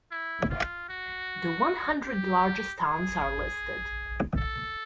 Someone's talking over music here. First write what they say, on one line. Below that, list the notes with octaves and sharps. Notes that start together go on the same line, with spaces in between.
The one hundred largest towns are listed.
E4
F4
F#4
G4
G#4
A4